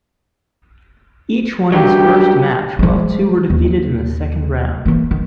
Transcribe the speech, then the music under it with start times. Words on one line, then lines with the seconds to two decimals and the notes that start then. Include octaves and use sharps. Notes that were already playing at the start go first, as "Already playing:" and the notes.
Each won his first match, while two were defeated in the second round.
1.72 G2 F#3 G4
2.79 F3 G#3
3.50 D#2
4.85 E3 A#3
5.11 D#3